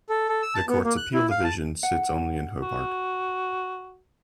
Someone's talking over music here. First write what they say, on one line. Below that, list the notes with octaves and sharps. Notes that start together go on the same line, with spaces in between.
The Court's Appeal division sits only in Hobart.
A4
A4
E6
A5
B3
A#3
F#6
E4
F5
A5
F#5
F#4